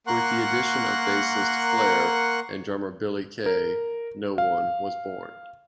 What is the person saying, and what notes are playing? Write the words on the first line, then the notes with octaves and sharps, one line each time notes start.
With the addition of bassist Flare and drummer Billy K, No One was born.
A#3 A#4 F#5 C6 C#6 F#6
A#4
F5